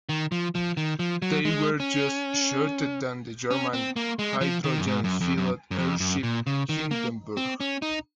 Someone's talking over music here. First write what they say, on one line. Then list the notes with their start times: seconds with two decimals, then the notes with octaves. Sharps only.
They were just shorter than the German hydrogen-filled airship "Hindenburg".
0.09 D#3
0.32 F3
0.55 F3
0.77 D#3
0.99 F3
1.22 F#3
1.45 G#3
1.80 C#4
3.51 C#4
3.73 C4
3.96 A#3
4.19 G#3
4.41 F3
4.64 D#3
4.78 F#2
4.87 G#2
5.04 F#2
5.21 F2
5.37 F#2
5.71 F#2
5.78 F2
6.00 F#2
6.23 A#2
6.47 C#3
6.69 D#3
6.91 A#3
7.37 C4
7.60 C#4
7.82 D#4